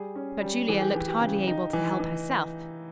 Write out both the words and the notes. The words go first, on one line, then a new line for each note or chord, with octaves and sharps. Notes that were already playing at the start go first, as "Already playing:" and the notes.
But Julia looked hardly able to help herself.
Already playing: G3 G#4
C#4
G3
E3 G#4
G4
E3
G4
C#3
D#4
E3
E3